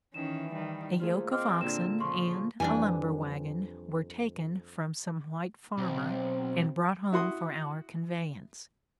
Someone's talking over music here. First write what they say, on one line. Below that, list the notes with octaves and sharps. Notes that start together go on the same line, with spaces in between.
A yoke of oxen and a lumber-wagon were taken from some white farmer and brought home for our conveyance.
D#3 E3 C#4 E7
D#3 G3
A3 A#3 F4 G#4 C5
C4 D#5 D6 F6
A#2 D3 D4 F4 E7
C#3 F3 F4 C6 C#6
F2 E3 G3 D4 G#5
B1 C4
E4 F#4 C6 D#6